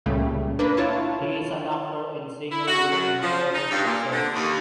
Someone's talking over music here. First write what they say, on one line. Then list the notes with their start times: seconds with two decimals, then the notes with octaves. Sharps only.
He is an actor and singer with an honorable success.
0.06 C#2 A#2 C#3 G3 A3
0.59 A#3 D4 B4
0.77 E4 F4 C#5 A5
2.51 E4
2.66 F#4
2.90 F#2
3.22 F3
3.54 D#4
3.71 G2
3.84 A#2
4.12 D3
4.34 D#2